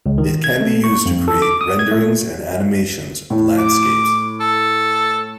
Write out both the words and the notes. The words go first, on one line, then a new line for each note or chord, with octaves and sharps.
It can be used to create renderings and animations of landscapes.
C#2
D#3
G#6
A3
C#6
F2
A4
D6
D#6
G#6
A3
A2
D6
A4